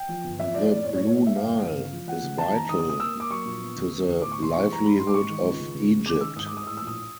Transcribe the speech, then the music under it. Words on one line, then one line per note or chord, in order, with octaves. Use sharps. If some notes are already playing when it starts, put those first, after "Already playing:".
The Blue Nile is vital to the livelihood of Egypt.
Already playing: G5
F3
G1
F3 E5
A2 D5
A2 D5
A2 C#5
C#5
A#3
C#5
G3
G2 E5
F5
G1
G1
C#3
F3
F3 F#5
C#3
F2 A5
D#3 A#5
D#3 D#6
D#6
C3
D#6
A#3 E6
A#3 D6
F#3 C#6
A#1
B3
D2
B3
D2
A2 D6
C#6
B1 C6
E3 C#6
G3 A#5
G3 B5
G#2 C6
D6
G#2 C#6
D#3
C#2
C#3
C#3
C#3
G#3 D6
D#3 E6
G#2 D#6
D6
G#3 D#6
A2 E6
A#1 E6
D#6